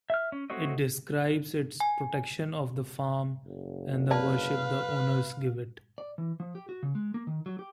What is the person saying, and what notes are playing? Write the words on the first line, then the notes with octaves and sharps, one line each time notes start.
It describes its protection of the farm and the worship the owners give it.
E5 F6
C#4
A3 C4 F#4 C#5 D#5
G#5
F#1
B4 D5 F5 A5
D5
E3
F3
G4
F#4
C#3
G#3
A#3
D#3
F#3
G4